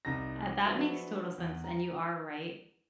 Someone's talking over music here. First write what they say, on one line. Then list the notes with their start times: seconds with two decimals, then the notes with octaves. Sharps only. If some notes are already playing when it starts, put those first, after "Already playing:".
Ah, that makes total sense. And you are right
0.05 C2 D#4 A#5 A#6
0.65 F3 F#3 B3 D4 E4 F#4
1.38 E2
1.64 A#5